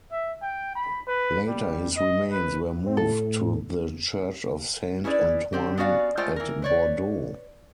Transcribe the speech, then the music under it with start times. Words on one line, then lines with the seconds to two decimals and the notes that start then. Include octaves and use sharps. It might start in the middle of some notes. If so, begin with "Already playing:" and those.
Later his remains were moved to the church of Saint Antoine at Bordeaux.
0.12 E5
0.42 G5
0.75 B5
1.07 B4
1.48 G3
1.96 D#5
2.31 B4
2.86 C4
2.97 A2 A4
5.04 C#4 E4 G#4 B4 D5
5.53 D3 C4 G4
5.77 B3 C#4 F#4 D5 F5
6.17 G#3 A3 F4 C5 D5 G5
6.36 E3 A#4
6.62 B4 C#5 D5